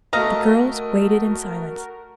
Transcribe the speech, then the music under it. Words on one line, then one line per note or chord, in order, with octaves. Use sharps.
The girls waited in silence.
A3 F#4 A#4 D#5 F5 A#5